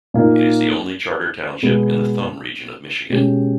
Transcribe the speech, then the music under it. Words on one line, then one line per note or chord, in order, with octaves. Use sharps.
It is the only charter township in the Thumb region of Michigan.
A#2 A#3 D#4
B2 G#3 B3
B2 G#3 C#4 G4